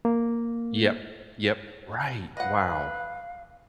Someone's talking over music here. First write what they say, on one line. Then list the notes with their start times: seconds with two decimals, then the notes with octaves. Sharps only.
Yep, yep. Right. Wow.
0.05 A#3
2.37 B4 D#5 F5 F#5